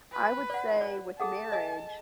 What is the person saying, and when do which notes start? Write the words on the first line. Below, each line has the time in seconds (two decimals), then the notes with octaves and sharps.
I would say with marriage,
0.12 B4
0.50 D5 F#5
0.81 D5
1.20 G#4 A4 F#5 A5
1.52 D#5 G#5